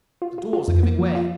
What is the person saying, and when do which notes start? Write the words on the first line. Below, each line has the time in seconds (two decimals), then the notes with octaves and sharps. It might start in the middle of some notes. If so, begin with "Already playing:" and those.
The doors are giving way.'
0.22 F4
0.38 F4
0.53 F4
0.68 F2
0.83 A#3
0.99 F3
1.15 F4